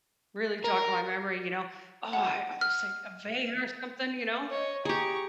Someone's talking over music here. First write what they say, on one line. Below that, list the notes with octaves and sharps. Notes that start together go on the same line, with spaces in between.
really jog my memory, you know. Oh, I almost like a vein or something, you know?
A#4
F#5
F6
C#5 D#5
G4 G#4 A#5 C#6